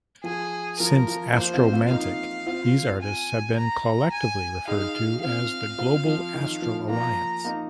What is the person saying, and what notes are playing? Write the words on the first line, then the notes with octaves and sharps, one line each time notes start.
Since "Astromantic", these artists have been collectively referred to as the Global Astro Alliance.
F3 G#4
F3 A#4
F3
F3 A#3 C5
C4 F4
C4 F4
A#3 D#4 F5
C4 F4
G#5
A#5
G#5
D#4 G#4 F5
C4 F4 F5
C4 F4
F3
D#3
F3
F3 A#3 A#5
A#3 D#4